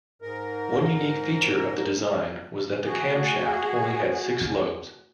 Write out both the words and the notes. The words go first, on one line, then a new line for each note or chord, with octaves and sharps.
One unique feature of the design was that the camshaft only had six lobes.
G#2 A#4
A3 F#4 G#4